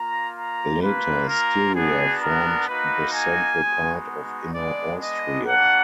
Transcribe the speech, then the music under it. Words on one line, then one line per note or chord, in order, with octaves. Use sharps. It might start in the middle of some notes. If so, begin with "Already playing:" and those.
Later Styria formed the central part of Inner Austria.
Already playing: A#3 F4 A#5
A#5
A#3 F4 B4
A#4
B3 D4 F#4 G#4
A#4
A#3 D#4 F#4 B4
G#5
G#3 B3 D#4 F#4
G#3 B3 D4 D5
D#5
A#3 D4 F#4 F#5